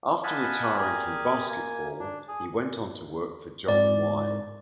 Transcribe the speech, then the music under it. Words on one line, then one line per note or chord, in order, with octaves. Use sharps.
After retiring from basketball, he went on to work for John Y.
D#5 F5 F#5 G#5 A5 B5
G4 G#4 A#4 D5 G#5 F6
A#3 G#5
D4
G#4
G#2 D5